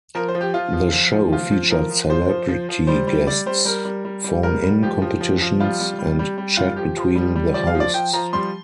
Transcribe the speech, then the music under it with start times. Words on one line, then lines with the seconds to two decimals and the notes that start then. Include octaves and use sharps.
The show featured celebrity guests, phone-in competitions and chat between the hosts.
0.15 F3 A#4
0.28 C5
0.35 F3
0.41 G4
0.54 F3 F4
0.73 F3
0.93 F3
1.13 F3
1.33 F3 F4
1.51 F3
1.71 F3 A#4
1.90 F3
2.09 F3 C5
2.29 F3
2.49 F3
2.69 F3
2.87 G3 C5
3.07 G3
3.26 G3 D5
3.46 G3 C5
3.65 G3 A#4
3.85 G3
4.05 G3
4.24 G3
4.43 G3 A#4
4.63 G3
4.83 F3 G4
5.02 F3
5.21 F3
5.41 F3
5.60 G3 F4
5.80 G3
5.99 G3
6.19 G3
6.38 G3
6.57 G3 F4
6.76 F3 G4
6.97 F3
7.15 G3
7.35 G3
7.54 F3 D5
7.67 F5
7.75 F3
7.80 D5
7.94 F3 G5
8.13 F3 A#5
8.33 G3 C6